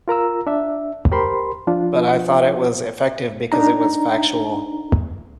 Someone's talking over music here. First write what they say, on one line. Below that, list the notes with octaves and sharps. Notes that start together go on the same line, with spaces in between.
But I thought it was effective because it was factual.
F4 A#4 A#5 E6
D4 E5
G4 A#4 C5 B5 C6
F3 D4 F4
D4 D#4 A#5